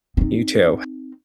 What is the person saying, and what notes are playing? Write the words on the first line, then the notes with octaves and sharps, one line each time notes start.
You too.
C4 D#4